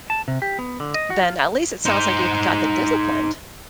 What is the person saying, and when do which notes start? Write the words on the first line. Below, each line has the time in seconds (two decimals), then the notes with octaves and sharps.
then at least it sounds, like, you've got the disciplined.
0.10 A5
0.28 C3
0.42 G4
0.59 B3
0.80 D3
0.94 D#5
1.10 F#4
1.23 F4
1.85 D#4 C5